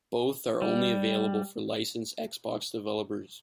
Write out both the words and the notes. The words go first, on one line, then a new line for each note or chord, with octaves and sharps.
Both are only available for licensed Xbox developers.
G3